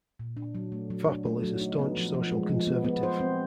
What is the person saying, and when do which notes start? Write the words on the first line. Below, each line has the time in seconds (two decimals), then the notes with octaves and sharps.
Wappel is a staunch social conservative.
0.19 A#2
0.37 D4
0.55 F#3
0.72 A3
0.90 F#3
1.08 D4
1.26 A3
1.43 F#3
1.61 D#4
1.79 B3
1.97 F3
2.14 F3
2.32 G#3
2.49 F3
2.67 B3
2.85 B3
3.03 C5
3.20 C4